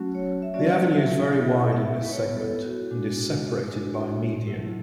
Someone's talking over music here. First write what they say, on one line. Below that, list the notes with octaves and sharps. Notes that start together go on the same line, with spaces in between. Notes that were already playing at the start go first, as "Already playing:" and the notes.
The avenue is very wide in this segment, and is separated by a median.
Already playing: F#3 A3 C#4 F#4
C#5
E5
F#3 A3 C#4 F#4 D5
E5
B3 E4 E5
E5
B4
B3 E4 C#5
A4
F#4
G#3 D4 F#4
G#3 D4 F#4
F#3 A3 E4